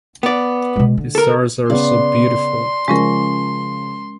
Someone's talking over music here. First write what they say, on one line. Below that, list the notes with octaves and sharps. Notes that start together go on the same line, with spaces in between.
The stars are so beautiful.
B3 D5
B2 G#3
D3
A4 A#4
C#3 B3 D5 C6
C#3 F3 G#3 C#4 A#4